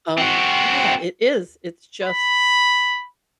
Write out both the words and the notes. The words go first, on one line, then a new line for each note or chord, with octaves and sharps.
um yeah, it is, it's just,
C4 F#4
B5